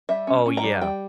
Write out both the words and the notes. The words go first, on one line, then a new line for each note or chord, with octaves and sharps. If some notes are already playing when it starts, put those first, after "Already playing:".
Oh, yeah.
G3 E5
C#4
C#4
A#5
G3
G3 G5